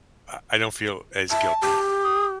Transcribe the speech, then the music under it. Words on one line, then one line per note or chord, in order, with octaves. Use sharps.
uh, I don't feel as guilty
E5 A5
G4
D#6